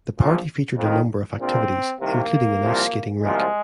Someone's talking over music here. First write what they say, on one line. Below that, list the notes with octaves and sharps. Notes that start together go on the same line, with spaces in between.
The party featured a number of activities, including an ice skating rink.
A#1 A#2 F3
F2 D#3
A#1 A#2 F3 C4
C2 C3 D#3 A#3
C2 A#2 F3
C2 A#2 F3 G#3